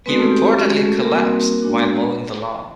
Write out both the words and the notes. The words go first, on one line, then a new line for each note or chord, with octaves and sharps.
He reportedly collapsed while mowing the lawn.
G#3 B3 C4 D#4 F#4 B4
A3 A4
G4
G4
G#3 C#4 F#4 G4
G#3 G#4
A3 A4
A#3 A#4
G3 C4 D#4 F#4
G#3 B3 D4 F#4